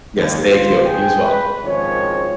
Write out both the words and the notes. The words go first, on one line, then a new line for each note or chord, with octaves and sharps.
Yes, thank you. You as well.
D#2
G1 G3 F4 C5
G#4 G5
B4
G#1 D#3 F3 G#3 C#4 C#5